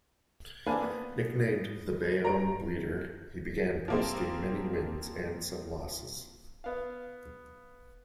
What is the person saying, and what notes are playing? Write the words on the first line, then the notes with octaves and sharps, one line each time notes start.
Nicknamed "The Bayonne Bleeder," he began posting many wins and some losses.
A#3 C4 D4 B4 F5 G#5
B3
A#5 D7
F3 A#3 C4
B3 F5